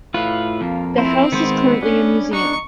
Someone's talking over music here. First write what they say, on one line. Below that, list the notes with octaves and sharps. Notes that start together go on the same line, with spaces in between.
The house is currently a museum.
A2 F4 B4 F5
F2 A#3
C4 E4 C5
D#3 G#3 B3 C5
C#4 D4
D4 D#4 C#6